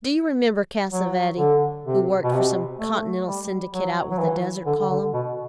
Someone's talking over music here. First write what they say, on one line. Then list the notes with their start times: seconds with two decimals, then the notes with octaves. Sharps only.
Do you remember Cassavetti, who worked for some continental syndicate, out with the desert column?
0.92 F#3
1.38 D3
1.86 C3
2.24 B2
2.33 C3
2.79 A3
3.26 G3
3.73 F#3
4.11 F#3
4.20 E3
4.66 D3
4.90 D3
5.13 B2